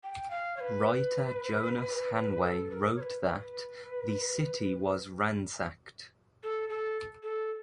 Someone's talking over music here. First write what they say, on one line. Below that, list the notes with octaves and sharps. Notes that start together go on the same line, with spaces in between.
Writer Jonas Hanway wrote that "the city was ransacked".
G5
F5
C#5
B4
A4
B4
A#4
C#5
B4
B4
A4
A4
A4